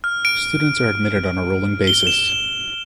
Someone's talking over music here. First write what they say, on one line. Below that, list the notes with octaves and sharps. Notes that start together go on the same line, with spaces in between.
Students are admitted on a rolling basis.
F6
D7
G7
E7